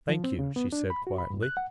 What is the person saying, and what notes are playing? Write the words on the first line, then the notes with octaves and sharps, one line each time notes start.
"Thank you," she said quietly.
F3
C4
C#3
B3
D4
B5
F#4
B5
G2
F#6
F#5